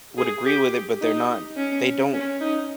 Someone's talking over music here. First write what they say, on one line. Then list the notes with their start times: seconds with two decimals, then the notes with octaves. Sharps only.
would agree with it, but they're not they don't
0.17 G#4
0.45 G4
1.01 D#4
1.56 C#4
2.13 C#4
2.40 D#4